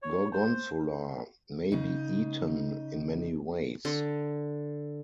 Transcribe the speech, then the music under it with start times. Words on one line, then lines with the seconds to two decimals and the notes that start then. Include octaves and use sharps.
Gorgonzola may be eaten in many ways.
0.02 C#5
0.32 C5
1.72 C#3 D#4
3.85 D3